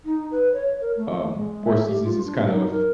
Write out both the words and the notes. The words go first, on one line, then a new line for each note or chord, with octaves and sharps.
um, four seasons is kind of
D#4
B4
C#5
A#4
A3
G#3
E5
G4
F4
D4
D#4
A#4